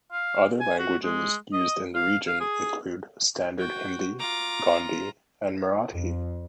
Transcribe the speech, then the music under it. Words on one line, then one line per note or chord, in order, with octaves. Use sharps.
Other languages used in the region include Standard Hindi, Gondi, and Marathi.
F5
G#5
F#4
G#3
D#5
F5
F5
G#4
F#4 G5
F4 A#5 D6
F2